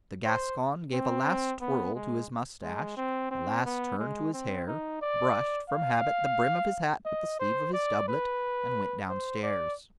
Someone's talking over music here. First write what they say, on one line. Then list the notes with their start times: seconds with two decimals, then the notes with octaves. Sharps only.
The Gascon gave a last twirl to his mustache, a last turn to his hair, brushed, from habit, the brim of his hat with the sleeve of his doublet, and went downstairs.
0.25 C5
0.93 C4
1.61 B3
1.95 G#3
2.63 G#3
2.97 C4
3.31 C4
3.65 B3
3.99 G#3
4.33 C4
4.67 D#4
5.02 D5
5.69 F5
7.05 D#5
7.39 C5
7.73 D5
8.08 B4
9.09 C5
9.43 D5